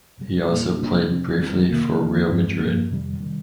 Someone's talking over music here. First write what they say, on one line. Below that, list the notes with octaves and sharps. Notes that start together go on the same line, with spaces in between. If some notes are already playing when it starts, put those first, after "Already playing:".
He also played briefly for Real Madrid.
F2 C3 G3
A#2 G3 A#3 D#4
C3 G3 A#3 D4
C3 F3 C4
D#3 G3 C4
C3 D#3 A#3
D#3 A#3 D#4
G2 F3 G#3 C4
G2 F3 A#3
F2 C3 D#3 G3
C3 D#3 G3